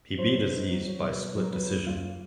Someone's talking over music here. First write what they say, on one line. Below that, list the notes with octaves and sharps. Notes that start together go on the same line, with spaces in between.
He beat Aziz by split decision.
F#3 C5
B2
D#4
F#3
F#3
B2
F#3
F#3
A#4
F#3 B4
A#3
F#2 F4
A#3